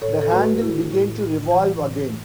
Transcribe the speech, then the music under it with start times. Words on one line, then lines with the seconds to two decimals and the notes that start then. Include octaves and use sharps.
The handle began to revolve again.
0.02 A2 A4 C#5
0.21 A4
0.31 A3 F#4 B4
0.62 E4
0.92 A2
1.21 A2
1.51 E3
1.81 A2